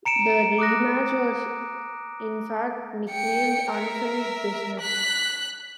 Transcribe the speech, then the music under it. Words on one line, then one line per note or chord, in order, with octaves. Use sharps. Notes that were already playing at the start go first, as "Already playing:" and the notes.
The rematch was, in fact, nicknamed "Unfinished Business".
A#5 C#7 D7 E7
D6 D#6 F#6 A#6
G5 C#7
A#4 E5
F#6 B6